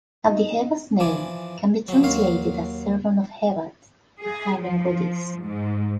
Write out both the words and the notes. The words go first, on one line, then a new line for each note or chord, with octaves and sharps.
Abdi-Heba's name can be translated as "servant of Hebat", a Hurrian goddess.
D#4
E3 F3 D5 G#5
F3 F#3
D#2 F#3 C#5 F5 C6
G#4
F3
G#2